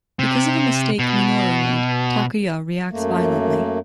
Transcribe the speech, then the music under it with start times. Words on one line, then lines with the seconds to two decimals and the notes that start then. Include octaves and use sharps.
Because of a mistake Minoru made, Takuya reacts violently.
0.19 C3
0.99 B2
2.91 F#2 A3 A#3